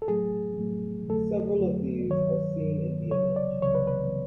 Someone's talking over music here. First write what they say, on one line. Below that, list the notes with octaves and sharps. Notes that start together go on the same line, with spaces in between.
Several of these are seen in the image.
A4
A2 F#3 A3 G#4
A2 F#3 A3
F2 D3 F#3 A3 A4
F2 D3 F#3 A3
G2 D#3 F#3 C#5
G2 D#3 F#3
C#2 C#3 F#3 C#5
D5
C#2 C#3 F#3 C#5
B4
B4